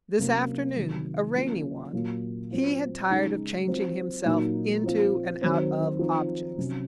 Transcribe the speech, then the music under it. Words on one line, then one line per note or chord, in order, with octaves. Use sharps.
This afternoon, a rainy one, he had tired of changing himself into and out of objects.
C3 F#3 A#3 C#4
C3 D#3 F#3
F#3 A#3 C#4 F4
A#2 F#3 A#3 F4
F#3 C4 F4
C#3 G#3 D#4
F#3 C4 F4
A#2 F#3 A#3 D#4
F3 C4 F4
D#3 F#3 C4
F3 C4 D#4
C3 F#3 C#4